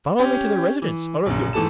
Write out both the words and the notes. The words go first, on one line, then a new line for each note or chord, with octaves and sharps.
"Follow me to the Residence--all of you!"
C#4 G4
E3
A#1 F#2
G#2 E3 A3 A5 E7